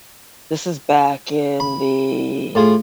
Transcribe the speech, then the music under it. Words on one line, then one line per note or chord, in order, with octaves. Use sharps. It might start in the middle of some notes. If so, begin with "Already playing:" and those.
this is back in the
B5
A2 F4 G#4